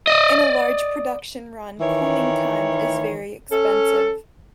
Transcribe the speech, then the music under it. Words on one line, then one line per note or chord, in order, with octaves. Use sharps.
In a large production run cooling time is very expensive.
D5 D#5
D#3 E3 C#5
C#4 A4